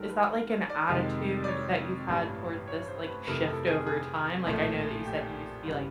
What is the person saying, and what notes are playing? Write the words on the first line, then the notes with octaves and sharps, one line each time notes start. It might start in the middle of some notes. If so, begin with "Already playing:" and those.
is that, like, an attitude that you've had towards this, like, shift over time? Like, I know that you said you used to be, like,
Already playing: G#1 G#2 D#3 G3 A4 A#4
B4
D5
F2 C3 D#3 G#3
D5
C#5
A1 G2 E3 G3
C#5
C5
B4
F2 C3 E3 A3 A#4
A4
G#4
G#4
A#1 A2 F3 A3
G4
G1 C#3 E3 G3